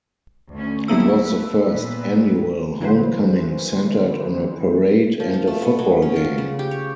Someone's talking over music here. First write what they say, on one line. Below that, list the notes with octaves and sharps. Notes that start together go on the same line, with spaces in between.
It was the first annual homecoming centered on a parade and a football game.
D2 A3 C#4
F#3 G3 A#3 B3 E4 E6
A3 B4
A#2 B4
D3 E3 F#3 A#3 B4 C5
F3
F3
A3
B3
F#3
C#4
F4
C#3
G4
C#5